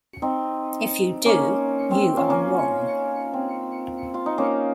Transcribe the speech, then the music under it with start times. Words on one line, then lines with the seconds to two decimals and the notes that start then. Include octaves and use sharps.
If you do, you are wrong.
0.22 C4 D#4
1.26 A#3 C#4
1.91 C4
2.17 C#4 F4
2.30 A#3 C#4
3.34 C4
4.14 F4
4.26 D#4
4.38 A#3 C#4